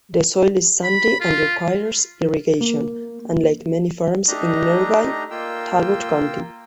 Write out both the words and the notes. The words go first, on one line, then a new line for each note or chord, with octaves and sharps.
The soil is sandy and requires irrigation, unlike many farms in nearby Talbot County.
B5
F4
A#3
A3 D4 D#4 G4 D#5 A#5
A#3 F4 G5 E6